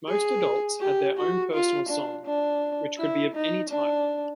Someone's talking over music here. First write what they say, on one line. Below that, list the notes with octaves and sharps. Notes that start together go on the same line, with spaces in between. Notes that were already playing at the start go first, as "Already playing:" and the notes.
Most adults had their own personal song, which could be of any type.
G#4
G4
F#4
F4
D4
D4
E4
D#4
D4